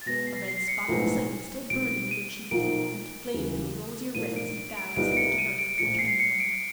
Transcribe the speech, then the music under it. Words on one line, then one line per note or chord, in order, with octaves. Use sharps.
A red spot of excitement still burned in either cheek, and it flamed to a rosier red as he bowed his head to her before turning away.
A6
B2 G#3 B3 A#6
C7
C7
C#7
B1 A2 F3 G#3 B3
B1 B2 G#3 C4 D7
D#7
B1 A#2 F3 A#3 D#4 D7
D#2 C#3 E3
B1 A2 F3 A#3 D4 D#7
D7
D7
C2 A#2 G3 B3 D#4 D7
D7
C#7
D#7
D7
A#1 A2 F3 C#7
C7
C#7
D7